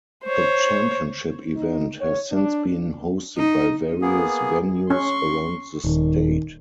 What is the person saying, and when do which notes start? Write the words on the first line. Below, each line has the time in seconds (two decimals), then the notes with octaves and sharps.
The championship event has since been hosted by various venues around the state.
0.24 C5 C#5
1.55 D#4
2.01 C#5
2.31 D4
3.37 D#4
4.02 A#3 B3 G#4
4.90 C#4 C6 C#6
5.84 D#1 D#3